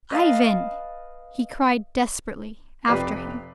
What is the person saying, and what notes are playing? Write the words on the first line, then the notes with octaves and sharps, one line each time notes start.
"Ivan!" he cried desperately after him.
B4 D#5 F5 A5
F1 G4 B4 D5 C7